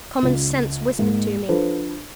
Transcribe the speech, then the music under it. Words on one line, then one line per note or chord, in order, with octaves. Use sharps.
Common sense whispered to me.
C#2
G#2 G#3 A#3
F3 D4 A4 B4 C5